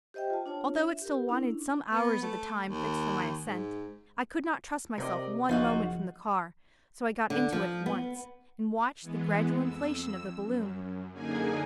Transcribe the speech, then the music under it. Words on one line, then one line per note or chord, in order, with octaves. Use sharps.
Although it still wanted some hours of the time fixed for my ascent, I could not trust myself one moment from the car, so I got into it at once, and watched the gradual inflation of the balloon.
G4 C5 D#5 E5 G5
F4 A5
D4 F4 C#5
E5
G4 A#4
C#4 D4 E4
B3
A3
D#2
G#2
C3 A#4 D5 D#5
F#1 F3 D#4 F4 F#4
D3
F3
B3
E3 G#3 B3
F2 E6
F#2
F#2 D3 A#3 D#4 G#4 G#5